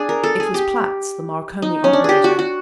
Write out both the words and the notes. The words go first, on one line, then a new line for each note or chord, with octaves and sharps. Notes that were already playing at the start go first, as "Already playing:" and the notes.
It was Platts, the Marconi operator.
Already playing: D4 G#4
A#4
A4
G#4
G4
D#4
C#4
D4
G4 G#4
F#4
F#4